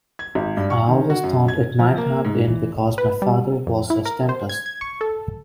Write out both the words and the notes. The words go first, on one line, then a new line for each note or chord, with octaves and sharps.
I always thought it might have been because my father was his dentist.
G#6
G#1
G2
C#6
D#3
F#4
F#2
G#6
F3
A#3
G#2
E3
B4
G3
F2
E4
A#4
C5
G#6
G#6
C#6
A4